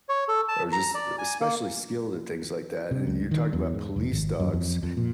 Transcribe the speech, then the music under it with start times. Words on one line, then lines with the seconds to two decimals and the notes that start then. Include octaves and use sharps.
are just especially skilled at things like that, and you're talking about police dogs,
0.09 C#5
0.28 A4
0.48 A5
0.72 A#5
0.95 D5
1.18 G#5
1.41 A#3
2.91 C3
3.07 C#2
3.31 D#3
3.53 E2
3.74 G#2
3.96 F1
4.11 G#1
4.40 F#2
4.53 F2
4.83 F2
4.97 A#2